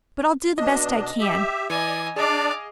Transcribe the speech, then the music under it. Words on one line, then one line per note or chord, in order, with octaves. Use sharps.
But I'll do the best I can.
B2 D4 D#5
G4 E5
E3 D5 D#5 G#5
D4 G#4 D5 D#5 F5 D6